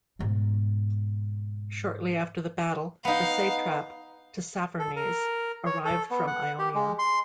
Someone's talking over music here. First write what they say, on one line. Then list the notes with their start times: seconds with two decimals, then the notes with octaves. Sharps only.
Shortly after the battle, the satrap Tissaphernes arrived from Ionia.
0.19 G#2 B2
3.05 B3 D#4 F5
4.79 A4
4.96 A#4
5.66 C#5
5.85 A4
6.11 B3
6.27 F#5
6.59 G4
6.75 G#3
6.99 C6